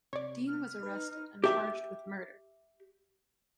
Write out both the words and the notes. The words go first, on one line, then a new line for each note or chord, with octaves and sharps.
Dean was arrested and charged with murder.
C3 C#5 D5
B3 F6
D#4 B4
G4 E5